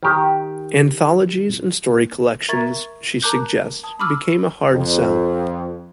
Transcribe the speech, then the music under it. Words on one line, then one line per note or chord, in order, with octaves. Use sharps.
Anthologies and story collections, she suggests, became "a hard sell".
D#3 G4
A#4 E5 A#5 C#6 G#6 A6
A#4 A5 A#5 D6 F#6 G6
A5 D#6
B5 C#6 D6 E6 F6
F2